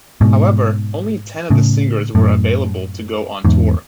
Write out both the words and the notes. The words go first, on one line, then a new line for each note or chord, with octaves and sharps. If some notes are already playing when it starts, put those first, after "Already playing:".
However, only ten of the singers were available to go on tour.
G#2 B2
A2 C#3
F#2 A2
E2 G#2